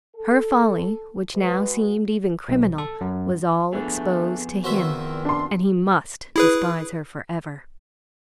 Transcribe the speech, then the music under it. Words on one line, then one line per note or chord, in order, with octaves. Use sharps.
Her folly, which now seemed even criminal, was all exposed to him, and he must despise her forever.
A4
G#3 F#4 B4
B1
A4
F#2
F2 A3 B3 D4 G#4
E2 A#2 D#3 F#4 C5 E5
D4 C6
E4 G#4 B4